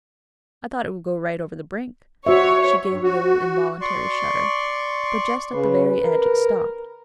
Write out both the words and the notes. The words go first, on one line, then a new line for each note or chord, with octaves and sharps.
I thought it would go right over the brink"--she gave a little involuntary shudder--"but just at the very edge it stopped.
F#4 C5 C#5 E5
G2
F#4
D5 C6 C#6
C#3 B4
A#4